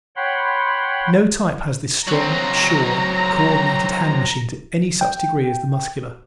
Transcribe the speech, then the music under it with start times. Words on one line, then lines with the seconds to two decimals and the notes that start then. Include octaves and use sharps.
No type has this strong, sure, co-ordinated hand-machine to any such degree as the Muscular.
0.16 C#5 F#5 G5 B5 C6
2.07 F#3 C4 A#5
5.01 G5